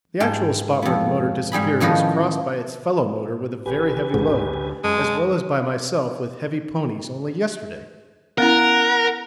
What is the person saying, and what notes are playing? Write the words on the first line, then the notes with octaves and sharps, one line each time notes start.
The actual spot where the motor disappeared was crossed by its fellow motor with a very heavy load as well as by myself with heavy ponies only yesterday.
G#2 G5 A5
F2 B3
G#2 G3 G#4 B5
A2 D#3 F3 C#4 B4 D#5
A1 G4 B4 G#5
A1 D2 G#2
F#2 G#3 A5
B3 C#4 E4 A#4 F#5